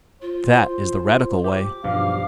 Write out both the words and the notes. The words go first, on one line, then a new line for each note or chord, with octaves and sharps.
That is the radical way.
F4 C5
F4
G4 D6
B1 G2 F3 F5